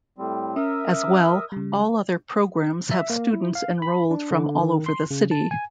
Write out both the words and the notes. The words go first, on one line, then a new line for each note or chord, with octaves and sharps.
As well, all other programs have students enrolled from all over the city.
A2 G3 C4
C#4 A#4 E5 D#6
C#3 G3
E5
A#3
E4
F5
B5
D4
D3
D#3
C6
C#3
A5
G#5